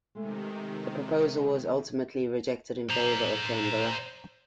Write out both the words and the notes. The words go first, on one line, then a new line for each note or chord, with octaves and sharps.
The proposal was ultimately rejected in favour of Canberra.
C3 D#3 G#3 A3
C5 A#5